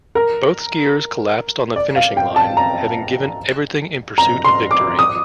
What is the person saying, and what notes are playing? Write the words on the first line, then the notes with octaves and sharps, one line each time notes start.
Both skiers collapsed on the finishing line, having given everything in pursuit of victory.
A#4
D5
F5
G5
A5
A#5
A#5
C6
D6
D#6